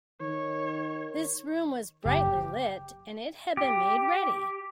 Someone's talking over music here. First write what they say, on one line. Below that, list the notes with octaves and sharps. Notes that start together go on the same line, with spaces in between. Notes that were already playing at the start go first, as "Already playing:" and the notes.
This room was brightly lit; and it had been made ready.
D#3 C#5
F#1 G4
G4